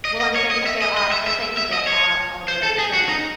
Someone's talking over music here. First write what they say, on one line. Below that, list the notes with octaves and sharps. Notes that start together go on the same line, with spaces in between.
Well, I'm saying 'cause there are I'm saying 'cause there are other things
D#5
D#5
C#5
D#5
E5
D#5
D#5
E5
E5
E5
D#5
C#5
C5
A4
G#4
F#4
D#4